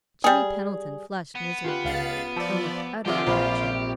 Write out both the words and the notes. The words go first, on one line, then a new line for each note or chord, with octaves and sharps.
Jimmy Pendleton flushed miserably and looked utterly wretched.
G3 G#4
B3
F4 G4 B4
C#2 F5 A6
F3 D5 A5 D6 E6
C3 F3 F4 G4 G#4 D5 F#5
A#1 F4 C5 D5 F5 B5